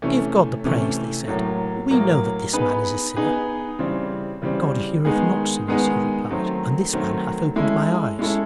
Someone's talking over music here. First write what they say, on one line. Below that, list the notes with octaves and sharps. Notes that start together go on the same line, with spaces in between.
"Give God the praise," they said; "we know that this man is a sinner." "God heareth not sinners," he replied; "and this man hath opened my eyes."
C3 E3 A3 C#4
C3 E3 A3 C#4
A2 F#3 A#3
A2 F#3 A#3
B3 D#4 G#4 B4
B3 D#4 G#4 B4
C#3 E3 G3 C4
C#3 E3 G3 C4
D#3 G#3 B3 D#4 G#4
D#3 G#3 B3 D#4 G#4
D#3 F#3 A3 C4
D#3 F#3 A3 C4
G#3 C#4 E4 A4
G#3 C#4 E4 A4